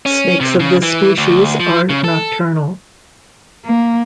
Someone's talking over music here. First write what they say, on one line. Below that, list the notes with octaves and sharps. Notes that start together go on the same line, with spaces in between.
Snakes of this species are nocturnal.
C#4
C3
C#3
E3
D2
F3
C#3
A4
A#3